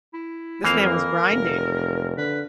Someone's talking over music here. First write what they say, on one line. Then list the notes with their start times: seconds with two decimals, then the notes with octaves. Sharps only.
This man was grinding.
0.13 E4
0.64 F2 E3 A#3 A#4 F5
1.30 F1
2.17 D3 B4